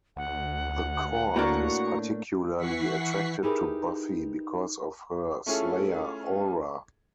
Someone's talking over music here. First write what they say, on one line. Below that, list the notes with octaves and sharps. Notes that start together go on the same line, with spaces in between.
The korred is particularly attracted to Buffy because of her Slayer aura.
D2 F#5
A2 A#3 D4 F#4 A#5 C#6
E3 F#5 C#6 B6 C7
D#4 E4 G4 G#4 A#4 B4
A3 C#4 E4 F4 G#4 A4